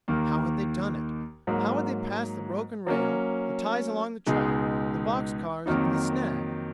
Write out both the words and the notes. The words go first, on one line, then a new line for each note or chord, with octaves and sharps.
How had they done it? How had they passed the broken rail, the ties along the track, the box-cars and the snag?
D#2 D#3 A#3
G#2 F#3 A#3
F#3 A#3 C#4
C#2 B2 G#3 D#4 G#4
F2 D#3 F#3 A#3 D#4